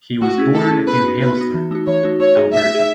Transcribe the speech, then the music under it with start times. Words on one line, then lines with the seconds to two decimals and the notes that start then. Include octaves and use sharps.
He was born in Heisler, Alberta.
0.21 A3 F#4
0.38 C#4 E4 G#4
0.54 A3 A4
0.71 C#4 E4 G#4
0.87 B3 B4
1.04 D#4 F#4
1.20 B3 B4
1.37 D#4 F#4
1.54 E3
1.71 A3 D#4 F#4
1.87 E3 C#5
2.03 A3 D#4 F#4
2.20 A3 C#5
2.37 D#4 G#4
2.54 A3 E5
2.70 D#4 G#4